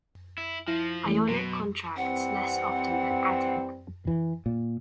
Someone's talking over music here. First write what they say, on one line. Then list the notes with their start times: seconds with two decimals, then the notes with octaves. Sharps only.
Ionic contracts less often than Attic.
0.38 E4
0.67 F3 E4 A#6
1.06 E3 A3 C#4
1.29 B2 F#3 C6
1.97 E3 G3 C4 F#5
4.07 E3
4.46 A#2